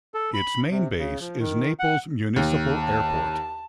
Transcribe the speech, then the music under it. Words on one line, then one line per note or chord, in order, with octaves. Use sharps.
Its main base is Naples Municipal Airport.
A4
B5
C3
C#3
F3
D#3
F#5
D#2
A5